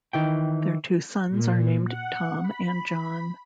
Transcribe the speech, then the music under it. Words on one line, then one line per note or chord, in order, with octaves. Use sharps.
Their two sons are named Tom and John.
D#3 E3 G5
A#2
F#5
B5